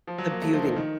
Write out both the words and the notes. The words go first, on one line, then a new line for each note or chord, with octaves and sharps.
the beauty.
F3
F#3
A#3
A3
F3
D#3
D#3